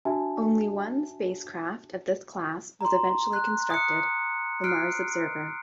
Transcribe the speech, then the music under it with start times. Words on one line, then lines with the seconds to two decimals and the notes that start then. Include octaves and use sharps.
Only one spacecraft of this class was eventually constructed-the "Mars Observer".
0.05 D4 F#4 E5 G#5 A5
2.81 A#5 C6
3.33 F#6
3.70 D#6 F#6 C#7
4.64 F6 F#6 C7 D7